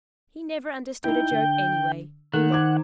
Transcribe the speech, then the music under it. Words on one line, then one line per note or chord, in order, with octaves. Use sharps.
He never understood a joke anyway.
D#4 E4 G5
D3
D#3 A3 A#3 F#5
C5 D6 G#6